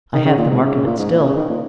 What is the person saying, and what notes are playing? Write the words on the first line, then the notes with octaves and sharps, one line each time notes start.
I have the mark of it still.
D#3
C#3
A#2
G#2
C#3
C#3
A#2
G#2
A#2
C#3
D#3
A#2